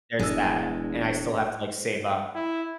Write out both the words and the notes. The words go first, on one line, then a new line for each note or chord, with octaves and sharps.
there's that, and I still have to, like, save up.
D#1 E2 G#3 D4 E6
E4